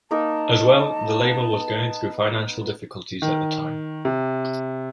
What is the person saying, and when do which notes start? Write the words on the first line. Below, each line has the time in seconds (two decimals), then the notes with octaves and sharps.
As well, the label was going through financial difficulties at the time.
0.11 A#3 D#4 A#4 A5
1.21 B3
3.22 D#3
4.05 C3